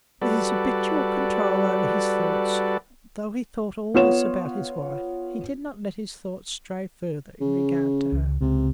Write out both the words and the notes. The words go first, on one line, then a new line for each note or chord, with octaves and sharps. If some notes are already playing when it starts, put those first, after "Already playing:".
With his habitual control over his thoughts, though he thought all this about his wife, he did not let his thoughts stray further in regard to her.
G3 F#4 A4 B4 D5
B3 F4 C#5 E7
C#3
C#2
C#2 C3